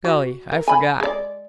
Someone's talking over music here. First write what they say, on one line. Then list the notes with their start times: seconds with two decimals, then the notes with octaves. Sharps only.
Golly, I forgot.
0.05 F#4
0.52 A#4
0.68 G#5 B5
1.00 G#3 D5